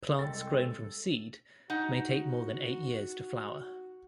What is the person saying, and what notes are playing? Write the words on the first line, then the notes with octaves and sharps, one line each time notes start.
Plants grown from seed may take more than eight years to flower.
C2 G#3 C4 A4 A6
D#4 F#4 F#5